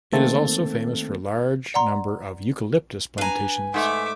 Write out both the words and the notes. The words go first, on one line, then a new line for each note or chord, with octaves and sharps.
It is also famous for large number of "Eucalyptus" plantations.
D#3 A3 A#3 C4 A4 A6
D5 F#5 A#5 C6
D4 B4 G#5 A#5
G#2 A3 E5 D6